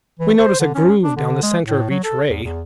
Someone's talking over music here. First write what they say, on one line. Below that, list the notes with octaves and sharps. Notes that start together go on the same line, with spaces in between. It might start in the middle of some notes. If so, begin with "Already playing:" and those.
We notice a groove down the centre of each ray.
E3
C5
D3
C#4
D4
D3
G#3
A2
F#3
A4
E2
E2